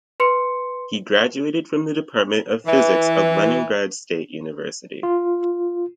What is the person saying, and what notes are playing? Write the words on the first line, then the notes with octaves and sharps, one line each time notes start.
He graduated from the Department of Physics of Leningrad State University.
B4 C6 C#7
E3
F4